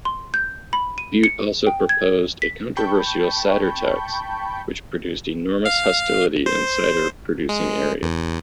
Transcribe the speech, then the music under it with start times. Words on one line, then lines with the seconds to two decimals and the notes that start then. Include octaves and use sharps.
Bute also proposed a controversial Cider tax which produced enormous hostility in cider-producing areas.
0.05 C6
0.34 G6
0.73 B5
0.98 D#7
1.24 C#7
1.67 G5
1.89 G#6
2.42 B6
2.77 G5 A5 B5 C#6 G6
5.66 F5
6.46 C5
7.49 G#3
8.03 E2